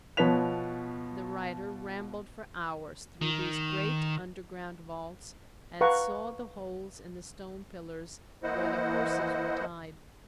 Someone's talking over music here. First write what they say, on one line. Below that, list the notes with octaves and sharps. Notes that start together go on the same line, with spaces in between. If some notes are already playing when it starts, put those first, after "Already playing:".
The writer rambled for hours through these great underground vaults and saw the holes in the stone pillars where the horses were tied.
B2 F3 B4 C#5 B6 F7
D#3
B4 F5 F#5 A#5 C#6
E3 A#3 E4 C5 D#5 F#5